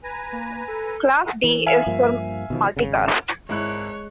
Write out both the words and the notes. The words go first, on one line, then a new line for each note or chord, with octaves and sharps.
Class D is for multicast.
B4 G#5 A#5
A#3
A4
E3
E5 F5 G#5
G2 F3 A#3
B2 D#3 F3
G#1 C#3
G#1 G#3 E4 C#5 F#6